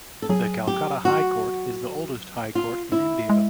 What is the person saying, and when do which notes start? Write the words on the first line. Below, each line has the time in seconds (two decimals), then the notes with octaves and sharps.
The Calcutta High Court is the oldest High Court in India.
0.22 A4
0.29 F#3 G#4
0.67 G4
1.05 F#4
2.55 F4
2.92 E4
3.30 G#3